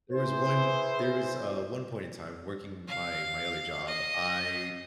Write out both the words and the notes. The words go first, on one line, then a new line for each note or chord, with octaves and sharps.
there was one there was, uh, one point in time working my my other job. I
E4 G#4 B4 C5
F5
D#5